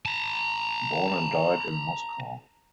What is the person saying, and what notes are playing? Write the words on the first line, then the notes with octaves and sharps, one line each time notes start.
Born and died in Moscow.
A5 A#5